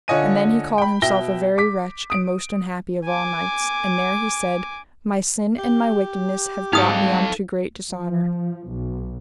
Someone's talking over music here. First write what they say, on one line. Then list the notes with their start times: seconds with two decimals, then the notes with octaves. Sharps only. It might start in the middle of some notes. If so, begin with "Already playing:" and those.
And then he called himself a very wretch, and most unhappy of all knights; and there he said: My sin and my wickedness have brought me unto great dishonour.
0.08 D3 F4 C#5 D#5 G#5 D#7
0.78 G5 B5
1.02 B2 E5 G5 A#6 G7
1.58 D6 B6
2.10 D#6 D7
3.05 G#5 D6
5.59 G4
6.73 G#2 F#3 G3 D#4 A4 F5 D#6
7.91 F3
8.69 B1